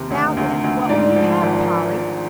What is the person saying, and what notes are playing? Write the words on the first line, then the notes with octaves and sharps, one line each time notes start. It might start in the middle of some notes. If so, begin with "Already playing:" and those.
"Now, then, what will you have, Polly?"
Already playing: D#2 C3
D2
D2
D2
G#2 D5
F3
G#1
G#1